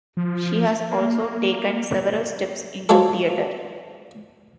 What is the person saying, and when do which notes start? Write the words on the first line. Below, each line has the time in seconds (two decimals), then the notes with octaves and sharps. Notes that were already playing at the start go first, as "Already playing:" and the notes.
She has also taken several steps into Theater.
0.17 F3
0.91 A#3
2.89 F3 F#3 G#3 F4 A4